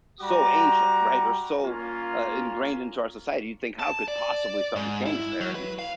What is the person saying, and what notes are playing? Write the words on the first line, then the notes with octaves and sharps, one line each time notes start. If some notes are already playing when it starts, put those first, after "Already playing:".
so ancient, right, or so, uh, ingrained into our society. You think, "How could possibly something change there?" And
G3 F#4 A#5 D6
A#3 C#4 F4
A5
D5
G#2
E4
F#3
B4
F5